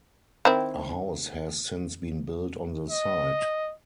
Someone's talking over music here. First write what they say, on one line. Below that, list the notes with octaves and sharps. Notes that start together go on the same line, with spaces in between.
A house has since been built on the site.
D#3 C4 E4
D#5